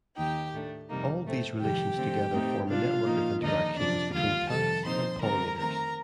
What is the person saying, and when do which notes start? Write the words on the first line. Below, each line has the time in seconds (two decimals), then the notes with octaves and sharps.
All these relations together form a network of interactions between plants and pollinators.
0.17 D#2 D#3 A#3 D#4 G4 G5
0.53 A2 A3 D4
0.89 F2 C3 G3 A#3 D#4
1.25 A2 A3 C4
1.60 F2 C3 D#3 G3 G4 G5
1.97 D3 F3 A3 C4
2.33 A2 A3 C4 D#4
2.68 C3 G3 D4 F4 F5
3.05 A#2 F3 A#3 D#4
3.41 D#2 D3 F3 A#3 D4 D#4 D#5
3.77 F2 C3 F3 D4 D5
4.13 D#2 D3 G3 F4 F5
4.49 F2 C3 D#3 G3 A4 A5
4.85 A#2 F3 C4 D#4 C5 C6
5.21 D3 G3 C4 A#4 A#5
5.57 F2 D#3 A3 C4 A#4 A#5